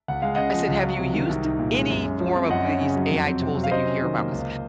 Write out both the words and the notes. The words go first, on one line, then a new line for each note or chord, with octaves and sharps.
I said, "Have you used any form of th these AI tools that you hear about?, 'cause
C#2 F#5
G#3 F5
C#3 D#5 F#5
F3
C#2
F#3
C3
D#3
C2
D#4
A#2
G#3
F#2
F#2
F3
C4
F#2 D#5 F#5
C#4
C#3
F#3
F2
C4
C3
F#3
F5
C3 C5 D#5
C#4
D#3
A#3
C#2